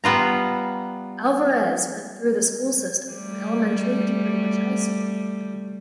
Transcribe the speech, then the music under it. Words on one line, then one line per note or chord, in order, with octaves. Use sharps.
Alvarez went through the school system from elementary to Greenwich High School.
G3 B3 F4 A#5
G3 A3